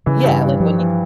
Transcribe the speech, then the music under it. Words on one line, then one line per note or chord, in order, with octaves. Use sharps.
yeah, like when you
C#3 E3
G2
G2
F3 G3
E3